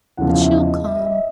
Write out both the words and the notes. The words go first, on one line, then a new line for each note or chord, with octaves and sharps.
But she'll come.
E2 C#3 F3 F#5
F5
E5
D#5
E5
D#5
E5